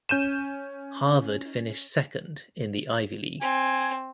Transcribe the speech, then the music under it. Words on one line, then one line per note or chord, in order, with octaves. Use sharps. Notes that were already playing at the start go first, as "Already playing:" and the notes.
Harvard finished second in the Ivy League.
C#4 G6 D#7 E7
C4 G#5